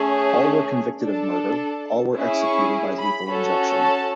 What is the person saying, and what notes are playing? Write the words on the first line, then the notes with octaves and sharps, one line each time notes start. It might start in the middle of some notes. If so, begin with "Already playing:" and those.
All were convicted of murder; all were by executed by lethal injection.
Already playing: A3 C#4 G#4
D4 A4
C#4 E4 G#4
C#6
B5
C#4 F#4 A4
A5